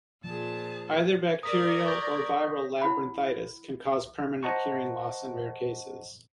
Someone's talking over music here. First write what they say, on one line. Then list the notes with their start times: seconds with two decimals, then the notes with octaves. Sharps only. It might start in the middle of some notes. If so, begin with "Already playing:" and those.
Either bacterial or viral labyrinthitis can cause permanent hearing loss in rare cases.
0.24 A#2 F3 G#4 A5
1.43 A#4 D5 D#6 G#6 B6
1.86 C#6 G6 A#6
2.81 E4 F#5 B5
4.43 C5 D#5 F#5 A5 A#5 C#6